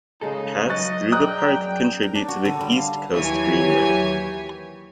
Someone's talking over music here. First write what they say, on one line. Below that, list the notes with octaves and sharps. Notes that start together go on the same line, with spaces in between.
Paths through the park contribute to the East Coast Greenway.
C#3 G#3 D#4 G#4 A4
F#3 D#5 C#6 F#6 A6
G#4 D5 G5 A#5 D#6 F#6
F#2
A#4
D4
F#4
D3
G3
F5
D#2 E3 F#3 G4 C#5 G#5